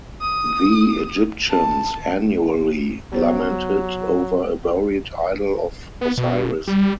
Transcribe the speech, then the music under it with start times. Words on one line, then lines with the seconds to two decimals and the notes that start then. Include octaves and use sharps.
The Egyptians annually lamented over a buried idol of Osiris.
0.21 D#6
1.49 A5
3.13 F#3 B3 C5
6.01 B3
6.18 B2
6.67 G3